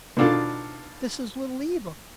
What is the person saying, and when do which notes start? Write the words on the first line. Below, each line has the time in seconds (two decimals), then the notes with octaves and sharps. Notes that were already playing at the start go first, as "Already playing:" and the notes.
"This is Little Eva."
0.17 B2 D#3 D4 F4 A4